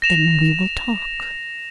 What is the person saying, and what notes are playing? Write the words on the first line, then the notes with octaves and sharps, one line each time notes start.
Then we will talk.
A#6 E7 F7